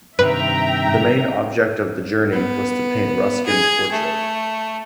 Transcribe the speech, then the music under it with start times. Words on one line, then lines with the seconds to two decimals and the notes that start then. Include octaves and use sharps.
The main object of the journey was to paint Ruskin's portrait.
0.19 G2 C3 D#3 B4 E5 G5 A#5
2.32 B3
3.46 G#4
3.92 A3